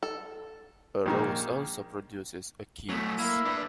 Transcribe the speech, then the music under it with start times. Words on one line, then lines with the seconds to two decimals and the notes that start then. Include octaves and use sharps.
A rose also produces achenes.
0.03 A4
1.06 A#1 D#3 A#3
2.90 F#3 A3
3.19 A#3 E4
3.46 D4 B4